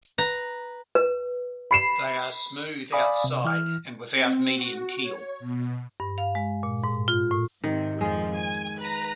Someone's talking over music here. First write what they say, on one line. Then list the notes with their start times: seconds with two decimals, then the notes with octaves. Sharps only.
They are smooth outside and without median keel.
0.18 B4 A#5
0.95 B4
1.71 B5 C7 E7
2.92 D5 F5 G#5 B5 D6 D#6
3.24 C3
3.44 E3 E4 F6
4.12 C4
4.54 F#4
5.02 C#5
5.40 B2
6.00 G2
6.18 F5
6.35 G#3
6.63 A#2
6.84 G#2
7.08 F4
7.31 A2
7.64 G#2 C3 D#3
8.01 F2 F3 G#3
8.36 G#5
8.79 B4 A#5